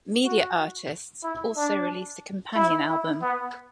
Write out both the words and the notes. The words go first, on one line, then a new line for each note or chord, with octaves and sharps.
Media Artists also released a companion album.
F#4
E4
D4
E4
E4
B3